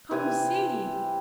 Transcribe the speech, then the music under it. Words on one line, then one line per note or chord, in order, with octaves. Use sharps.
"Come, see!"
C3 E3 G#5